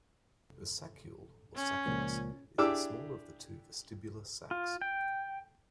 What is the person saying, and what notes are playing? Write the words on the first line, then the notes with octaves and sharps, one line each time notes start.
The saccule, or sacculus, is the smaller of the two vestibular sacs.
C#4
C#2 A#2 F3
D4 E4 G4 G#4 D6 E6
F4
G5